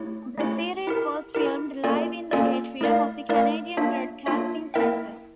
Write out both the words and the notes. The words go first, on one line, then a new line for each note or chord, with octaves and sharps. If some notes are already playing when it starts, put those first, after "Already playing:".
The series was filmed live in the atrium of the Canadian Broadcasting Centre.
Already playing: A3 E4 G4 C#5
A3 C#4 E4 G4 C#5
E4 G4 A#4
E4 G4 A#4
A#3 C#4 F4 A4 D5
A#3 C#4 F4 A4 D5
A3 E4 A#4 D5 F5
A3 E4 A#4 D5 F5
A#3 D4 F4 C#5 E5
A#3 D4 F4 C#5 E5
A#3 E4 A#4 E5 G5